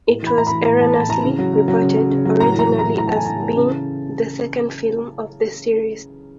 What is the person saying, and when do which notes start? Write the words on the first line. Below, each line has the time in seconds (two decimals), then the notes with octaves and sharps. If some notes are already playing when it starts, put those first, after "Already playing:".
It was erroneously reported originally as being the second film of the series.
0.08 A2
0.23 E3 B5
0.37 A2 A#5
0.47 E3 B5
0.65 A2 A#5
0.81 E3 A5
0.95 A2 A5
1.09 E3 A#5
1.24 C#3
1.39 F#3
1.53 C#3
1.68 F#3
1.81 C#3
1.97 F#3
2.10 C#3
2.25 F#3
2.40 A2 A#5
2.55 E3 A#5
2.69 A2
2.79 E3 A#5
2.98 A2 A#5
3.08 A5
3.12 E3 G#5
3.25 A2 A5
3.42 E3
3.56 C#3